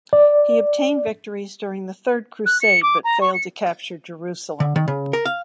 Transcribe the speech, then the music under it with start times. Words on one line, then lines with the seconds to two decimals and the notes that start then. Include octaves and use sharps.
He obtained victories during the Third Crusade, but failed to capture Jerusalem.
0.13 D5
2.46 F#6
2.61 C#7
2.83 D6
3.04 A#5
3.21 C#6
3.34 C#7
4.60 D3
4.76 D#3
4.88 C#3
5.13 A#4
5.25 F5